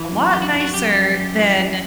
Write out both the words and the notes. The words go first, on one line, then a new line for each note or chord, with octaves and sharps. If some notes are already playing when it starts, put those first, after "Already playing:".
a lot nicer than
Already playing: E3
F#2
F#2 G4
F#4
F#2 E4
F#4
F#2 G4
F#2
F#2
E3
F#2